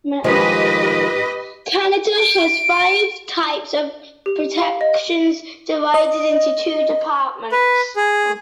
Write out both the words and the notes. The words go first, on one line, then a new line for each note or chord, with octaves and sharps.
Canada has five types of protections divided into two departments.
D#3 F3 G#3 G4 B4 D#5
D7
G4
F5
D#5
D#5
B4
G#4